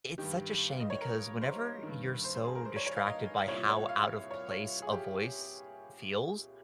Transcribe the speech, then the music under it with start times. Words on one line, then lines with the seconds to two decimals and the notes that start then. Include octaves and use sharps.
it's such a shame because whenever you're so distracted by how out of place a voice feels,
0.18 G2 D#3 G4
0.70 F5
0.80 D#5
0.90 C#5
1.01 A#4
1.41 C5
1.83 G2 D#3
2.24 C5
2.35 C5
2.45 G#4
2.55 A#4
2.65 C5
2.76 C#5
2.86 C#5
2.96 F5
3.07 D#5
3.48 C2 A#2 C#5
3.69 C#5
3.89 F5
4.31 C#5
4.51 C#5
4.82 G#4
4.92 G4